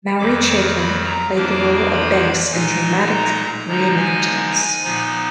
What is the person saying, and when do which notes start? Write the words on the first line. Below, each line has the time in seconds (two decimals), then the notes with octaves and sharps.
Maury Chaykin played the role of Banks in dramatic reenactments.
0.19 F2 D#3 F#3 D6
0.77 B5
1.06 A#5
1.35 F2 F3 A#3 D4 F4 D6
1.93 B5
2.51 A#2 G#3 D#4 G#5
3.09 A#5
3.68 D3 F3 G#3 D#4 A#5
3.96 G#5
4.55 G#5
4.84 A#2 F3 B3 D#4